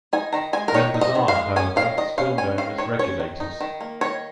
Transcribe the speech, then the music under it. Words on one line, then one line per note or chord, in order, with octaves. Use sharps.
Members are, however, still known as "Regulators".
D#4 G#5
D#3 A#5
G#3 G#5
A#4
D#3 C#5
D#4
D#5
D#3
F5
G#3
C#4 G#5
D#3 F5
D#3 D#5
C#4 F5
C#4 G#5
D#3 F5
D#3 C#5
C#4 C#5
D#3
D#4
D#3
A#3
D#3 C#5